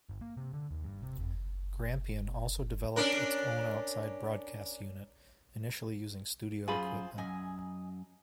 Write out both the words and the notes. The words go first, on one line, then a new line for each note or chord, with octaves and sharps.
Grampian also developed its own outside broadcast unit, initially using studio equipment.
G1
A#3
C3
D3
D#2
G2
C3
F2
C#4 D4 A#4
F#2 F4 G#4 C5 B5
F#2 D#5 G#5